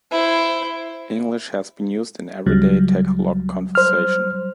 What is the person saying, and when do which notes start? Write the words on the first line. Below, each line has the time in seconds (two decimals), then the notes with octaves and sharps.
English has been used in everyday Tagalog conversation.
0.11 E4 C5
2.46 C#2 F#3 G3
3.75 C5 F6